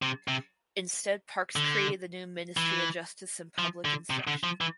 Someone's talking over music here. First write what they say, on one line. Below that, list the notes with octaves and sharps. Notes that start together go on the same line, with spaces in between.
Instead Parkes created the new ministry of justice and public instruction.
C3
C3
D3
E3
F3
D3
C3
D3
F3
E3